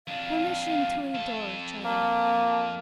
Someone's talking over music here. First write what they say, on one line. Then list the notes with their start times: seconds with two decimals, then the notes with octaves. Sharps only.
"Permission to adore each other!"
0.08 F2 D4 F5
1.14 F2 A4
1.85 A#3 A5